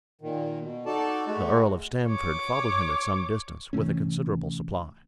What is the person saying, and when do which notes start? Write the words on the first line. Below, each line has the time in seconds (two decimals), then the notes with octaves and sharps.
The earl of Stamford followed him at some distance With a considerable supply.
0.21 A#2 D#3
0.59 B2
0.86 D#4 F#4 A4 D5 A5
1.26 G#3 A3 F#4
2.09 C#5 D6
3.73 C3 E3 A3 C#4